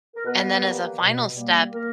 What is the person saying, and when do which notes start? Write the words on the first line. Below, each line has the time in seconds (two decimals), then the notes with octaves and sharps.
And then as a final step,
0.16 A#4
0.25 B2 B3 B4
0.61 G3 A#3
0.98 B2
1.36 G3 A#3
1.72 A#3 A#4